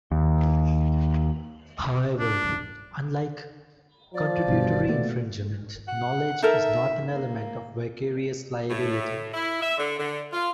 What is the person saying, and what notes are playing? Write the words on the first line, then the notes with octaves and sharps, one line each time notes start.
However, unlike contributory infringement, knowledge is not an element of vicarious liability.
D#2
D4
F3 D5
G1 G2 B2
A#2 A3 B3
F#5
D#4 A4 A#4 E5
A#3
A2
E4
E5
D3
D3
F4